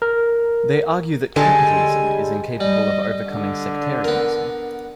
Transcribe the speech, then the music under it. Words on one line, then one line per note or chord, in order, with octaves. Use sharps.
They argue that capitalism is incapable of overcoming sectarianism.
A#4
D3 G3 G#3 A4 G#5
G3 D#5
D3
B3 A#4